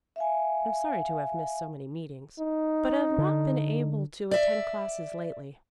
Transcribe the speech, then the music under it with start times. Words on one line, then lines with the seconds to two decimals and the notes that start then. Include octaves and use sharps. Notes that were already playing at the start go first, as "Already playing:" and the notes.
Am sorry to have missed so many meetings, but have not been able to attend classes lately.
0.16 E5 F5 G#5
2.39 D#4
3.18 D3
4.31 D5 E5